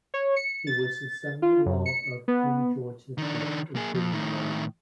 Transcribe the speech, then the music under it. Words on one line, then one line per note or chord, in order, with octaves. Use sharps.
He was the son-in-law of King George the Fifth and Queen Mary.
C#5
C#7
A6
F4
F#2
C#7
B3
D#3 D4
A#3 G#4
F2
A2 D#3